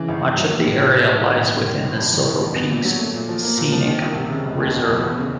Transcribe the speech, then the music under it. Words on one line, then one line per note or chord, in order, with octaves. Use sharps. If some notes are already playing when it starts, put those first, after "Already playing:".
Much of the area lies within the Silverpeaks Scenic Reserve.
Already playing: C#3 E3
G#1
G2
F#3
A#1
A2
F3
A#1
A2
D#3
G1
F#2
D#3
G#1
G2
E3
A1
G2
B3
A#2
F#3
A3
A#2
F3
A#3
A#2
F3
D#3
C2
C3
C#3
F1
D#2
B2
F#1
E2
C#3